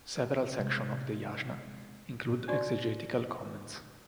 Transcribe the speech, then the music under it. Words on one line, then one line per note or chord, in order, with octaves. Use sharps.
Several sections of the "Yasna" include exegetical comments.
C3 G#3
D4 F#4 D5 C#6